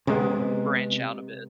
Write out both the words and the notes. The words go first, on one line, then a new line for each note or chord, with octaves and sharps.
branch out a bit.
C3 G#3 B3